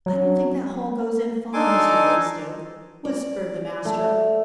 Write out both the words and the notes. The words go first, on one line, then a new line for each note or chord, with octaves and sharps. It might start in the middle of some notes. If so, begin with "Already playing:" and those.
"I don't think that hole goes in far, Mr Raystoke," whispered the master.
F#3
D4 D#4 A4 G#5 C6 D6
D5
A3